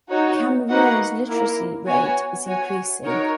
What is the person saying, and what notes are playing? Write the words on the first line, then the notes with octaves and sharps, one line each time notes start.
Cameroon's literacy rate is increasing.
D#4 F#4 C#5
A#3 D#4 F#4 B4 F#5
A#3 E4 A#4
B3 F#4 C#5 G#5
F#4 C#5 G#5
D#4 F#4 A#4 C#5